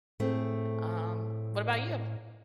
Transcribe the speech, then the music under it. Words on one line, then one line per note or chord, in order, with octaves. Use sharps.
Um, what about you?
A2 A3 C4 G#4